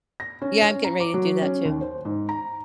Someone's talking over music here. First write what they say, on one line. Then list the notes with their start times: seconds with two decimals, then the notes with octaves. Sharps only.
Yeah, I'm getting ready to do that too.
0.20 A#6
0.42 C#4
0.62 C#4
0.85 A#5
1.00 D6
1.14 F#3
1.42 C#4
1.65 D#2
1.81 C5
2.05 G#2
2.29 A#5